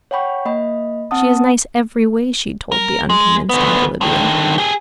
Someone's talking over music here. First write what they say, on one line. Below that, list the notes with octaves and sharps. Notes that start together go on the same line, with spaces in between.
"She is nice every way," she told the unconvinced Aunt Olivia.
C#5 F#5 G5 B5 C#6
A#3 D#5 B5
C4 F#5 A5 D#6
A#4
G#3
D2 B3
D3 D#3
G4 G#4